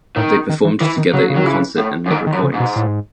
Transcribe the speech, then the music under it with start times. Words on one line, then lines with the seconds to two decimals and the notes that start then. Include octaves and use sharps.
They performed together in concert and made recordings.
0.16 A2 D#3
0.49 D#3
0.64 E3
0.80 D#3 E3
0.97 D#3
1.13 C#3 F#3
1.30 C#3
1.35 D#3 F#3
1.44 C#3 E3
1.78 A2
2.06 F#2
2.10 G#2 D#3
2.26 D#3
2.33 F#2
2.43 C#3
2.54 G#2
2.60 B2
2.76 A2
2.87 G#2